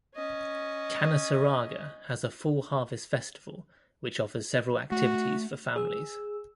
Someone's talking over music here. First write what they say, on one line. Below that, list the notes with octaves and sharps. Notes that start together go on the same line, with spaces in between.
Canaseraga has a Fall Harvest Festival which offers several activities for families.
C#4 D#5
A3 F#4
G#4 E6